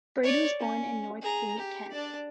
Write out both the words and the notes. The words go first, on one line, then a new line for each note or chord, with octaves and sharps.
Braid was born in Northfleet, Kent.
C#5 D5
C#4
G#4 A#5
G4
D4 D5